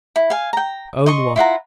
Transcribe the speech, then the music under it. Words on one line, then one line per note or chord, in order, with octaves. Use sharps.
Own what?
E4
F5 G#5
G5 A#5
D#5 C6 C#6
E4 F4 F#5 A#5